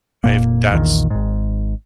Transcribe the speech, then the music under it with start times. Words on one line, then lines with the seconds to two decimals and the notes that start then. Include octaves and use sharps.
If that's
0.24 F1 A#2 A#3
0.71 A#1 E2 A#2 D#3
1.10 G#1 G#2